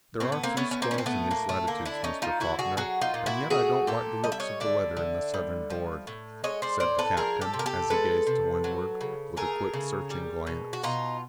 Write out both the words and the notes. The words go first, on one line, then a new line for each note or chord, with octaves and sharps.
"There are few squalls in these latitudes, Mr. Faulkner, and yet I don't like the looks of the weather in the southern board," said the captain, as he gazed to windward, with a quick, searching glance.
A2 C4
B3
A#3 C4
A3 B3 C#4
C#4
A#3 C4
C#4
A2 C4
A3 B3
F#3 A#3
A3
D3 A#3
D4 E4
A3 C#4 D#4
D#4 F4
D3 E4 F#4
F#4 G#4
F#3 F#4 G#4
D#4 F4
A#2
E4 F#4
A3 F#4 G#4
A#2 G4 A4
G3 D#5
E5
C#5 D#5
D3 D5 E5
D3
G3
F3
A2
G#3 C#5 D#5
C5 D5
A2 C5 D5
A4 B4
F3 G#4 A#4
G4 A4
C3
A#4
G4 A4
G#3 A4 B4
C3
F#3
C#3
A3 G#4 A#4
C#3
G3
B2
F#4
B2 D#4 F4